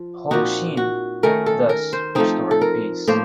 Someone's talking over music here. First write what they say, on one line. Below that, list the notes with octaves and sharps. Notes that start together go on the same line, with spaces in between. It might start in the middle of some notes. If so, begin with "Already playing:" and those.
Houshin, thus restoring peace.
Already playing: F3
A#2 F3 C4 D#4 F#4
F#4
D#3 A3 C#4 A#4
A4
A#4
C5
F3 A3 C4 D#4
A4
A#4
A2 F3 A#3 C5